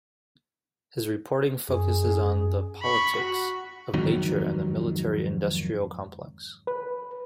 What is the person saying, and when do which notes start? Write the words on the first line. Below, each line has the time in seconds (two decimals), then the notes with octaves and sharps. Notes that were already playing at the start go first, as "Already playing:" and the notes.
His reporting focuses on the politics of nature and the military-industrial complex.
1.69 F#2 G#4
2.82 B5 C#6
3.16 F#4
3.94 F2 G#2 D#3 F#3
6.67 B4